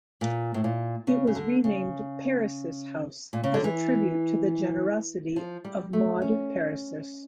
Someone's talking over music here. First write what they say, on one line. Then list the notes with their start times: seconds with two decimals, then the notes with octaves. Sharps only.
It was renamed Peiris House as a tribute to the generosity of Maude Peiris.
0.21 A#2
0.54 A2
0.64 A#2
1.07 C#3
1.27 C#3
1.35 D3
1.64 C#3
3.33 A#2
3.44 C#3
3.54 D3
3.64 E3
5.36 F3
5.65 G3
5.93 A3
6.22 C#4